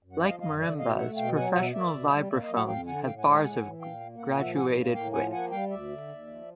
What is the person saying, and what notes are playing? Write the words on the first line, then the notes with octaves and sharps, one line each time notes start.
Like marimbas, professional vibraphones have bars of graduated width.
F#2
F#5
F3 D#5 F5
F#2 D#5 F5
D3 D5 E5
B2 D#5 F5
A3 E5 F#5
B2 F5 G5
F#3 F#5 G#5
B2 E5 F#5
A#3 D5 E5
B2
G3
A#3 D5 E5
D#5 F5
F#3
E5 F#5
F2 F5 G5
D3 F#5 G#5
A2 F5 G5
F#5 G#5
G#3
F#5 G#5
A2 F#5 G#5
E3
A#2 F5 G5
A#3
A#2 F#5
G5
F3 E5 F#5
A2 F#5 G#5
A#3
A2 F5 G5
F3 F#5 G#5
A#3 F#5 G#5
G3 F5 G5
D2 D5 E5
D3
D#2
F3